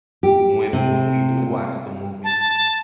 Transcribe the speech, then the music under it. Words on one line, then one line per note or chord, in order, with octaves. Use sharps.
when when we do watch the movie
G4
C3
A5